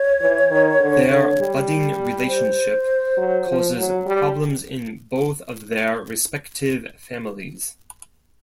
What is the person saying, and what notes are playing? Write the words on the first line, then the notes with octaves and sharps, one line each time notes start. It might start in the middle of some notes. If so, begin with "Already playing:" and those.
Their budding relationship causes problems in both of their respective families.
Already playing: C#5
E3
D#3
D3
D3
G3
C5
F#3
F3
F#3
G3